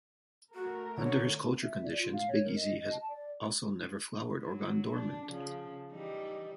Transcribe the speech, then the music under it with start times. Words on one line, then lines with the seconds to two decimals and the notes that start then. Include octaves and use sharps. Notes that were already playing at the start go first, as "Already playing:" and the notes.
Under his culture conditions, 'Big Easy' has also never flowered or gone dormant.
0.54 A3 F#4 A#4
0.98 D3 C#5
1.62 E5
1.83 D5
1.98 F4
2.12 F5
2.27 C#5
2.44 A#4
2.55 D#5
2.73 D#5
2.90 A5
3.08 D5
4.41 F#3
4.93 D4
5.26 C#3 F3
5.91 E3 G3 D#4